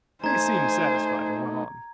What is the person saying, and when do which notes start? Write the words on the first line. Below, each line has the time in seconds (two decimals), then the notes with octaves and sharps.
He seemed satisfied, and went on.
0.24 A3 D#4 C5 G#5 A#5 G#6